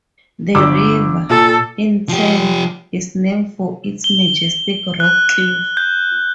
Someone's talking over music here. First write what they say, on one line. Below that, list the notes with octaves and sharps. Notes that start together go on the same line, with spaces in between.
The river, in turn, is named for its majestic rock cliffs.
G1 D6 E6
A#2 A4
F3 G4
G7
F#6
G6